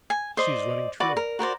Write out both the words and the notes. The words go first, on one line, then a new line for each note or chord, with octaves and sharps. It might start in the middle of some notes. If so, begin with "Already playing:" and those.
She is running true!
G#5
C5 D5 D#5
F#4 B4 D5 D6
A#4
F#4 A#4 C5 D5